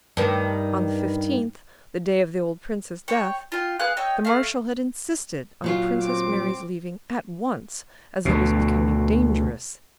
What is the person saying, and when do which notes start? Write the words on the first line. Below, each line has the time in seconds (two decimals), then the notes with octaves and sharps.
On the fifteenth, the day of the old prince's death, the Marshal had insisted on Princess Mary's leaving at once, as it was becoming dangerous.
0.17 G2 D#3
3.08 C#5 G5
3.52 F4 G5
3.80 B3 G#4 F5 F#6
3.97 C#5 D#5 G5 E6
4.25 A3 F5
5.64 A#2 F#3 F4
6.01 C4 D6
8.25 D2 B2